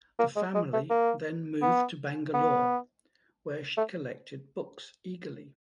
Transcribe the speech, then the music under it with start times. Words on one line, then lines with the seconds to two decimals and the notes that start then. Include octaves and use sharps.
The family then moved to Bangalore where she collected books eagerly.
0.19 A#3
0.36 G#3
0.54 G#3
0.73 A3
0.90 A#3
1.62 B3
2.34 B3
3.77 A3